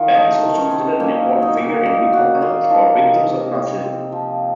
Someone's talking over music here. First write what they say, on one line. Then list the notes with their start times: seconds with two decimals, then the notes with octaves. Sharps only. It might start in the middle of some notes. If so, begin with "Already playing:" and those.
Beck is also considered an important figure in recompense for victims of Nazism.
Already playing: D#3 F4
0.15 A3 D#4
0.44 D#3
0.58 C#4
0.71 C4
1.00 A#2 C#4
1.29 F#3
1.42 D#4
1.57 A#2
1.86 A#2
2.13 A#2 F#4
2.42 A#3 F4
2.70 F3 D#4
2.98 C3
3.13 D#4
3.27 C3
3.55 C4
3.84 C4
4.12 F3